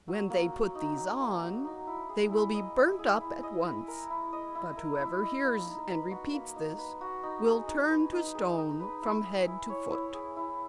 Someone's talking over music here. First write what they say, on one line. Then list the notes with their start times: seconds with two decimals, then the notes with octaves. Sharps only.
When they put these on they will be burnt up at once. But whoever hears and repeats this will turn to stone from head to foot.'
0.08 F#3
0.30 A#3
0.53 F#3
0.75 D#4
0.97 F#3
1.20 A#3
1.42 F#3
1.65 D#4
1.87 E4
2.09 G#4
2.31 E4
2.54 D#5
2.77 E4
2.99 G#4
3.21 E4
3.43 D#5
3.66 E4
3.88 A#4
4.10 E4
4.33 D#5
4.55 E4
4.77 A#4
5.00 E4
5.22 D#5
5.44 A#3
5.67 D#4
5.90 B4
6.11 F#4
6.33 A#3
6.56 D#4
6.78 B4
7.01 F#4
7.23 D#4
7.46 G#4
7.68 D#4
7.90 B4
8.12 D#4
8.35 G#4
8.58 D#4
8.80 B4
9.02 E4
9.24 G#4
9.47 E4
9.70 C#5
9.92 E4
10.14 G#4
10.36 E4